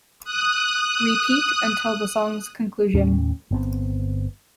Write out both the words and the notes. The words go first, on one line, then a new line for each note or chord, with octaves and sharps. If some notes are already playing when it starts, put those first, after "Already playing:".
Repeat until the song's conclusion.
D#6 F#6
D#2 A2 C#4
G1 B3 C4